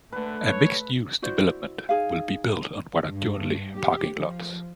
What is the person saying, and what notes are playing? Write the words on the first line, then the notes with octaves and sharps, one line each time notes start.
A mixed-use development will be built on what are currently parking lots.
D3 A3 B4
C#5
E4 F#4 C5 D5
D#4 G#4 F5
G2
G4
F3